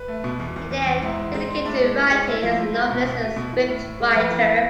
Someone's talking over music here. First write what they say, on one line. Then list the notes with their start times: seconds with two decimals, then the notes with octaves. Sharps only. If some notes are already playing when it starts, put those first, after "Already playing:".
He then dedicated to writing as novelist and scriptwriter.
Already playing: B4
0.08 A3
0.24 B2
0.40 E2
0.56 E2
0.71 E2
0.87 E2
1.02 G#2 E4
1.19 G#2
1.34 G#3 C4
1.50 G#3
1.65 A2 D4
1.81 G#3
1.96 A2
2.11 G#3
2.27 A3 E4
2.43 F3
2.59 A3
2.74 G#2
2.91 B2
3.05 B2
3.22 A3
3.36 B2
3.53 E3
3.69 A2
3.84 A2
4.00 G#3
4.15 F2 B4
4.31 E3
4.46 A3